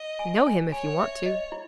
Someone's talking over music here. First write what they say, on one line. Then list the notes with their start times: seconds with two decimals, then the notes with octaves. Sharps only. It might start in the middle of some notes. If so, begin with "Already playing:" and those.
"Know him, if you want to."
Already playing: D#5
0.19 G#5
0.46 G#5
0.72 C#5 G#5
0.99 E5
1.26 D#5
1.52 E4